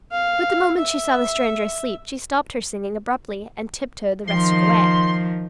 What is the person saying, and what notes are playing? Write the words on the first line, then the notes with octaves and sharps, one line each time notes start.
But the moment she saw the stranger asleep, she stopped her singing abruptly and tiptoed the rest of the way.
F5
E5
D#3 F3 C6